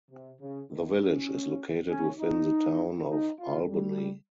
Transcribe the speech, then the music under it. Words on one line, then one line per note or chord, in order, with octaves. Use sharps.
The village is located within the Town of Albany.
C3
C#3
D#3
C#4
C#4
D#4
D#4
F4
G3